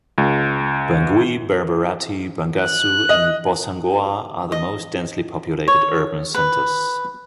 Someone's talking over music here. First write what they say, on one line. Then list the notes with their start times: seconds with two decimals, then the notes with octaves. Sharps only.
Bangui, Berberati, Bangassou, and Bossangoa are the most densely populated urban centers.
0.18 C#2
2.57 F#6
3.09 D#5
4.52 D#5
5.68 C#5
6.35 B4